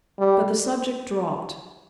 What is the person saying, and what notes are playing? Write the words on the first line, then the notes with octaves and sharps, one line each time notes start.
But the subject dropped.
G3